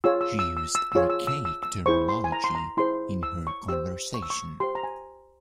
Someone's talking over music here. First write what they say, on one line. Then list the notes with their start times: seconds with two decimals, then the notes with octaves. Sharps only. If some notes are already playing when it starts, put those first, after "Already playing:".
She used archaic terminology in her conversation.
0.04 F4 G#4 C#5 E6
0.21 E6
0.39 E6
0.57 E6
0.75 E6
0.92 F4 G#4 C#5 E6
1.10 E6
1.27 E6
1.45 E6
1.63 E6
1.86 E4 G#4 C5 C#6
2.09 C6
2.24 G#5
2.32 A#5
2.44 C6
2.55 A#5
2.77 E4 G#4 C5 C6
3.23 E6
3.47 C#6
3.69 G4 C5 E6
4.14 C#6
4.23 E6
4.30 C#6
4.60 G4 C5 C6
4.75 A#5
4.83 G#5